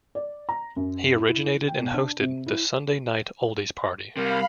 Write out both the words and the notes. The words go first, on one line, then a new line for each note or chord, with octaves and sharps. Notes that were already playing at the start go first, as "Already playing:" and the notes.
He originated and hosted "The Sunday Night Oldies Party".
D5
A#5
F#2
E4
G5
B2
D4
C3
E4
C3 G3 A#4 F5 B5